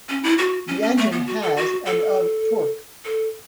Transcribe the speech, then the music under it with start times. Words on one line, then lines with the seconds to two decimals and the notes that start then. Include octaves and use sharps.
The engine has and of torque.
0.09 C#4
0.23 E4
0.38 F#4
0.68 C#4
0.82 C#4
0.97 A3
1.12 B3
1.27 F#4
1.42 A4
1.57 F#4
1.86 A4
3.05 A4